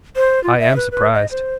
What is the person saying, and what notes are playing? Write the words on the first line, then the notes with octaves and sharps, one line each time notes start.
I am surprised.
C5
F4
E5
B4
B4
D#5
C5